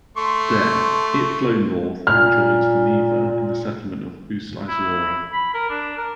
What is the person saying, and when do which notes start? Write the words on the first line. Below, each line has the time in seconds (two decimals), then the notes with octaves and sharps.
There, it flow north and joins the Neva in the settlement of Ust-Izhora.
0.17 A3 C6 C#6
2.07 A#2 F6
4.68 E4
5.32 B5
5.54 A#4
5.70 D4
5.98 A#4